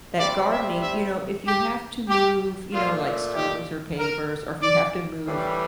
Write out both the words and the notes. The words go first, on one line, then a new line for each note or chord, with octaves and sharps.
that gardening, you know, if you have to move, you know, like stones or pavers or if you have to move,
C3 G3 D5
E5
E5
G4
G4
A#2 A3 F4
G4
A#4
D5
A2 E3 G3